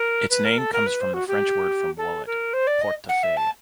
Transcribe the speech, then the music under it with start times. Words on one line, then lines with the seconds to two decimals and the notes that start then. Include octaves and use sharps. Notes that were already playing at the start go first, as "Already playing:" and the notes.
Its name comes from the French word for wallet: "portefeuille".
Already playing: A#4
0.30 B4
0.45 A#4
0.58 A4
0.73 A#4
0.86 B4
1.01 C5
1.14 F#4
1.28 G4
1.97 A4
2.26 A#4
2.53 C5
2.67 D5
2.81 D#5
3.09 F#5
3.23 E5
3.37 A5